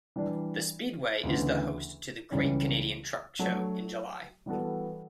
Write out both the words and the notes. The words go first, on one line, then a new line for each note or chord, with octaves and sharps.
The Speedway is the host to the Great Canadian Truck Show in July.
E3 G3 D4
D2 C#3 E3 B3 E4
C#2 C#3 E3 G3 C#4
F#3 A3 D4
E3 G3 B3 F#4 A4